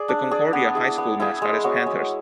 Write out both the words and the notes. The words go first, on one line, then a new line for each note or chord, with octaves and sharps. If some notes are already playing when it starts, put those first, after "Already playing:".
The Concordia High School mascot is Panthers.
Already playing: G#4 D5
D4
G#4 D5
B3
E4 G#4
B3
E4 G#4
G#3
B3 F#4 C#5
G#3